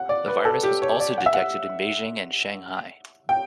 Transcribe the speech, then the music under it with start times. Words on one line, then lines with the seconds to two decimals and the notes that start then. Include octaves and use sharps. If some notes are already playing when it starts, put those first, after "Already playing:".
The virus was also detected in Beijing and Shanghai.
Already playing: F#5
0.09 D5
0.28 B4
0.45 A4
0.63 G4
0.82 C#5
1.00 D5
1.18 F#5
1.26 E5
1.34 F#5
3.29 G5